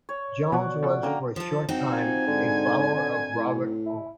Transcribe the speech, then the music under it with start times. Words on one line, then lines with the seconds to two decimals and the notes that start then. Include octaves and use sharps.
Jones was for a short time a follower of Robert Owen.
0.09 C#5
0.52 B2 B3 F#4 D5 F#5
0.83 F3 A4
1.03 D3 A#3 C#4 G5 A#5
1.36 F3 A4
1.69 C4 D#4 F#4
1.91 F3 G#5
2.27 G#2 D3
3.35 A2
3.86 E4